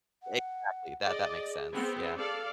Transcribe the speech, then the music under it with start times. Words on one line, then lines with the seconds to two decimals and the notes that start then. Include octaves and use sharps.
Exactly, that that makes sense, yeah,
0.23 F#5
1.05 G#4 D5 D#5
1.73 B3 C4
2.18 A4 D5 F5